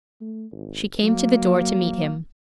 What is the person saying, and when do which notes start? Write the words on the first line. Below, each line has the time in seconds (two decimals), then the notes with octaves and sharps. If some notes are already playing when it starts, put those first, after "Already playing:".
She came to the door to meet him.
0.21 A3
0.52 G#1
1.03 F#3 A#3